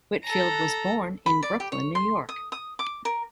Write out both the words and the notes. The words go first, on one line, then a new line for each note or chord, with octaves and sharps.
Whitfield was born in Brooklyn, New York.
A4 A#5
B5
D5
G4
C#5
C6
D#6
D#6
D6
A#4